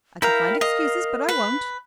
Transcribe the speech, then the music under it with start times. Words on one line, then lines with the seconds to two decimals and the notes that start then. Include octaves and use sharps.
I could find excuses, but I won't.
0.22 E4 A#4 F5 G5 A#5
0.61 D#5 F5
1.29 B4